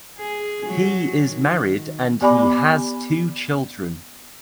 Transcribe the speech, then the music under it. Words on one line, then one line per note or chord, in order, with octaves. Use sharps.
He is married and he has two children.
G#4
F#3
D#3
B3 G4 D5 G#5 B5 D6